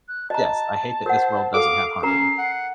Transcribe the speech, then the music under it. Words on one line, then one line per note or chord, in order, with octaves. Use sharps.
Yes, I hate that this world doesn't have harmony.
F#6
D#5 A5 A#5
A#4 C5 F#5
A4 A#4 F5 D6
C#4 A#4 A#5 C7
F#5